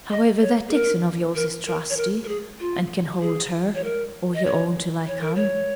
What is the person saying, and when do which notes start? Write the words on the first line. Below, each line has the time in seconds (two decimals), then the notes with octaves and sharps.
However, that Dixon of yours is trusty; and can hold her, or your own, till I come.
0.11 D#5
0.42 C#5
0.69 G#4
0.73 A#4
1.35 A#4
1.67 A#4
1.90 C#5
1.97 A#4
2.24 A#4
2.28 G#4
2.60 F4
3.22 G#4
3.75 C#5
3.84 A#4
4.34 D#5
4.45 C#5
5.08 C#5
5.21 A#4
5.35 C#5